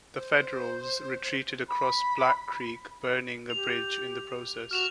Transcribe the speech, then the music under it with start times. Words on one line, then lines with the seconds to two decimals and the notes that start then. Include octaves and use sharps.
The Federals retreated across Black Creek burning a bridge in the process.
0.14 C5
1.69 B5
3.50 G4 F7
4.71 F#4 F6 E7 F7